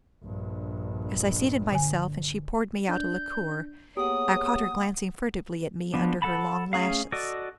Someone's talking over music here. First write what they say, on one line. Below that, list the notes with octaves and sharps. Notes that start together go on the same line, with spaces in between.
As I seated myself, and she poured me out a liqueur, I caught her glancing furtively at me under her long lashes.
A#1 G2
D3 G#5
D4 G6
A#3 B3 G4 G#4 C#5 F#5 D#6
F3 B3 D4
A4 F#5 A5 B5
A3 C#4 G#4 F5
F#4 A4 D5 D#5